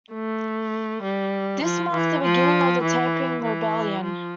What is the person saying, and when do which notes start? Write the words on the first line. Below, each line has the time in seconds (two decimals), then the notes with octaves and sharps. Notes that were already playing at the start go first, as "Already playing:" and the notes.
This marked the beginning of the Taiping Rebellion.
0.13 A3
1.03 G3
1.63 F3
1.93 E3
2.23 F3
2.83 E3
3.43 E3
4.03 F3